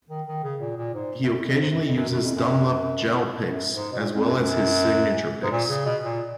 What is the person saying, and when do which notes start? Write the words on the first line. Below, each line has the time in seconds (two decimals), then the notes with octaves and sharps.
He occasionally uses Dunlop Gel picks, as well as his signature picks.
0.10 D#3
0.27 D#3
0.43 C#3
0.61 A#2
0.77 A#2
0.94 G#2
1.20 F#2
1.45 F2
1.62 G#2
1.71 F#2
1.85 F2
1.96 F#2
2.09 F#2
2.22 F2
2.35 F#2
3.49 F#2
3.75 G#2
3.92 B2
3.99 A#2
4.15 F2
4.26 F#2
4.38 F#2
5.42 G#2
5.51 A#2
5.69 C#3
5.85 B2
6.03 A#2